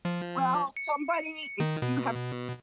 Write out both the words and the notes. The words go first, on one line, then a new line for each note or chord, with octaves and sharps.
Well, somebody if you have
F3
C#7
D#3
B2